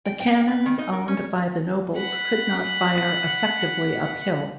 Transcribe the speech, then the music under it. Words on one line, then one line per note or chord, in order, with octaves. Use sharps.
The cannons owned by the nobles could not fire effectively uphill.
G5
G5
B4
D#3
D#4
A#4
C#4
F#5 B5